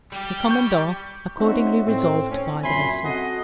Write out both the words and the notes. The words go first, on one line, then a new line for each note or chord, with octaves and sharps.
The commandant accordingly resolved to buy the vessel.
G3 G4
C#6 G6
C4 C#4 D#4 F#4 C5 E5
A2 C4
C#4
F#2 A#2 E5 G#5 B5 C6
C4 F#4 A4 D#5 F#5